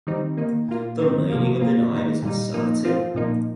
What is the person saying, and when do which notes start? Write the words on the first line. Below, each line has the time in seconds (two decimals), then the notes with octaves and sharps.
The meaning of the name is uncertain.
0.07 D#3 G3 C4 D#4
0.37 D#3 A#3 D#4
0.68 A#2 A#3 F4
0.99 D#3 C4 D#4
1.30 C3 F3 A#3 F4
1.61 A#2 A#3 F4
1.91 D#3 A#3 D#4
2.22 A#2 G3 D#4
2.54 A#2 F3 A#3 D#4
2.84 F3 C4 F4
3.15 A#2 F3 A#3 D#4